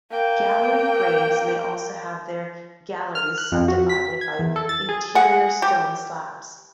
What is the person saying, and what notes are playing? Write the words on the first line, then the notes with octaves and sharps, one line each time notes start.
Gallery graves may also have their galleries subdivided by interior stone slabs.
A#3 G5
F6
F#6
F2
F#4
B6
G#6
E2
A4
A6
G#4
G#4 F#5
G4